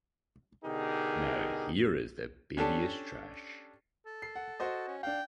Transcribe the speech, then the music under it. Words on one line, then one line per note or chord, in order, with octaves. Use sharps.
Now here is the babyish trash.
B2 D3 D#4 G4 G#4 A#4
C#4 D4 G4 A4
A4
C7
F#5
F#4 C5 D#5
C#4
D4 F5 G5